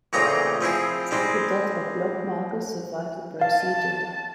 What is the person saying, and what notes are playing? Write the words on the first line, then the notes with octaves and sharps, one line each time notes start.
Simple dot or block markers survive the procedure well.
A1 A#2 C#3 C4 D#4 A#5
F3 C4 E4 G#4
G3 G#3 C4
F5 A5